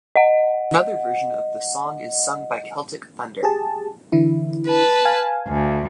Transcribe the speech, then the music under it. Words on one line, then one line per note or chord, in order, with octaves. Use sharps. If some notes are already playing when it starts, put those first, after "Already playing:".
Another Version of the song is sung by Celtic Thunder.
D#5 F#5
G4 G#4 A5
D3 E3 E4
B4 A5
F5 G#5
D2